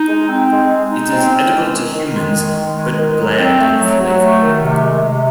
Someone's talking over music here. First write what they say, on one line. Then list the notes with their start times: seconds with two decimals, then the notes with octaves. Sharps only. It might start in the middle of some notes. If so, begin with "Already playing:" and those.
It is edible to humans, but bland in flavour.
Already playing: D#4
0.09 G#3
0.29 C4
0.50 G#3
0.70 G#3
0.90 D#4
1.12 C4
1.32 C#4
1.53 G#3
1.74 D#3
1.93 D#3
2.14 G#3
2.35 D#3
2.55 D#3
2.76 G#3
2.97 D#3
3.18 F#3
3.39 C4
3.59 A3
3.80 F#3
4.01 F#3
4.21 A3
4.42 D#3
4.62 C3
4.83 G#3
5.04 C3